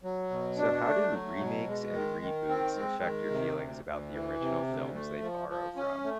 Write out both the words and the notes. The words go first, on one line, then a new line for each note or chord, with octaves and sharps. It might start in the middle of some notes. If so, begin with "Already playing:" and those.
So how do remakes and reboots affect your feelings about the original films they borrow from?
F#3
B2
D4
A3
F#3
B2
G#3
D#3
D#3
C4
G#3
D#3
C3
D2
D2
E3
C3
D2
A3
F3
F3
C#4
A3